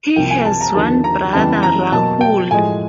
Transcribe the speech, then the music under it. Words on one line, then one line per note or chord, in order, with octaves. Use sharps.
He has one brother, Rahul.
C2 C3 F3 A#3 G5
G#5
A5
A#5
D#2 D3 F3 A#3 A5
A#5
F2 C#3 E3 G3 B3 A5
A#5
B2 F#3 A#3 A5
G5
A2 F3 G#3 G#5